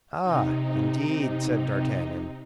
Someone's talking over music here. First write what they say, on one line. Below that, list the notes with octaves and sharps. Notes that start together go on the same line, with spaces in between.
"Ah, indeed," said d'Artagnan.
C3 D#4